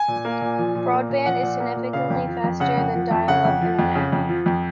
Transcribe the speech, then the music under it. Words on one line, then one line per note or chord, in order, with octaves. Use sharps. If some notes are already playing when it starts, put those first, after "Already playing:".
Broadband is significantly faster than dial-up internet.
Already playing: G#5
A#2
A#3
A#2
F3
A#2
A#3
A#2
F3 F#5
A#2
A#3
A#2
C#3 F5
F2
F3
F2
C#3 F#5
F2
F3
F2
C#3 F#5
F2
F3
F2
C#3
F2
F3
F2